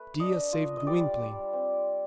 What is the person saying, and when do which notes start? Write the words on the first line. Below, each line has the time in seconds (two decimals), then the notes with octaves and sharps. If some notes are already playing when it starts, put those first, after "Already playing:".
Dea saved Gwynplaine.
Already playing: A3 B4
0.20 D4 D#5
0.53 F4
0.77 D#5
0.87 G3 D5
1.19 G3
1.53 C4